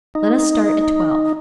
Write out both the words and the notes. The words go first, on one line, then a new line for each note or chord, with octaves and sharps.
Let us start at twelve.
D#4